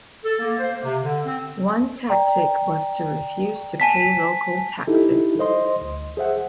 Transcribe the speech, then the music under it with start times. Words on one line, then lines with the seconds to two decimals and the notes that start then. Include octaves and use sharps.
One tactic was to refuse to pay local taxes.
0.25 A4
0.40 A#3
0.59 C5
0.71 A#3
0.84 C3
1.02 D3
1.25 C4
2.09 D5 G5 A#5
3.80 G#5 A5 B6
4.87 D#4 E4 G4 A4
5.39 C5 D#5 C6
5.81 D2
6.17 G#4 C5 E5 F#5